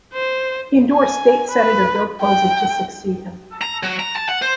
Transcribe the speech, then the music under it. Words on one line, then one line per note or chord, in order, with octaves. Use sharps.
He endorsed state Senator Bill Posey to succeed him.
C5
G#5
B4
G5
A#5
F#3
A#5
A5
F#5
C5